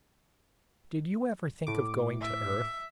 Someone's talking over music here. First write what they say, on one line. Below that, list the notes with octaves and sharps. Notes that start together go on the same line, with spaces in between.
"Did you ever think of going to Earth?"
A2 D6
E5